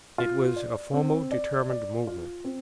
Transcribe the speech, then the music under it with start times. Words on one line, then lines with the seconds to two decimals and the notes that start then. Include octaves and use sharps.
It was a formal, determinate movement.
0.18 F4
0.56 D5
0.93 C4
1.32 D5
1.70 D5
2.07 F4
2.44 C4